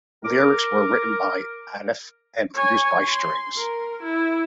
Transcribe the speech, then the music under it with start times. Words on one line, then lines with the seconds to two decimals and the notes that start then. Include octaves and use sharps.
Lyrics were written by Atif and produced by Strings.
0.25 A#4 D6
2.54 C#5 G#5
3.06 C6
3.56 A#4
4.03 E4